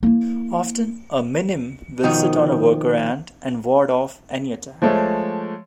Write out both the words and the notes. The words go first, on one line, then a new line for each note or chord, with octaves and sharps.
Often, a minim will sit on a worker ant and ward off any attack.
A#3 E4
B2 D#3 F3 D#4
F3 G#3 A3 C#5